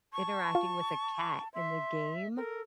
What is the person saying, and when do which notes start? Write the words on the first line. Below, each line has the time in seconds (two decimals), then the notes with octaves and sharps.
interacting with a cat in the game,
0.13 A5 C#6
0.55 F4
1.54 E5 C6
2.36 A4 A#4